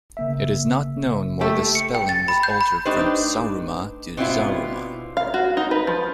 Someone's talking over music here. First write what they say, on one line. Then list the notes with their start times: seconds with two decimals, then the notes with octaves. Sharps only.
It is not known why the spelling was altered from "Saruma" to "Zaruma".
0.17 C#3 A#3 E5
1.41 A3 G4
1.75 C#7
1.95 G5
2.09 A6
2.28 B5
2.43 G6
2.61 B5
2.85 A3 D4 D#4 G4 B4 C5
4.17 B2 C4 D4 E4 F4
5.17 F5
5.34 F#4
5.57 D#4
5.71 B4
5.87 F3